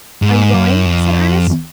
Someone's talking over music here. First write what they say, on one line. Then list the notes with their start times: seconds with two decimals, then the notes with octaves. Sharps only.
"Are you going?" said Ernest.
0.22 G#2
0.53 F#2
0.85 F2